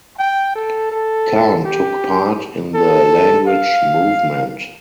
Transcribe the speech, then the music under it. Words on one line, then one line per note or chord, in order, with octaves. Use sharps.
Khan took part in the Language Movement.
G5
A4
A4
G4
A4
F5